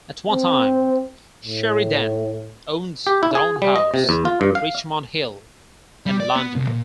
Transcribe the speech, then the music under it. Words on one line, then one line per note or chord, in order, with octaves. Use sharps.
At one time Sheridan owned Downe House, Richmond Hill in London.
C4
A2
G4
E4
G#4
G3
D#5
C3
E2
F4
G2
F5
G3
D5
B3
C2
A#2